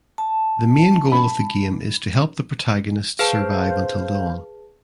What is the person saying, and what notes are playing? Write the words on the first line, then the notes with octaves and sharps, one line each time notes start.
The main goal of the game is to help The Protagonist survive until dawn.
A5
B5
G#4 B4 C5 F5 A5